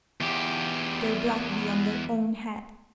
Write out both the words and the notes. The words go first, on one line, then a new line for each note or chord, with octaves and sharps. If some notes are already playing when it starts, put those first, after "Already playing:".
Their blood be on their own head!
E2 G4